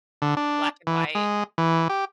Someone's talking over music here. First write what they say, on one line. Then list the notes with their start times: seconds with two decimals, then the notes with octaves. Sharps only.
black and white,
0.22 D3
0.37 D4
0.87 E3
1.15 G#3
1.58 E3
1.89 G4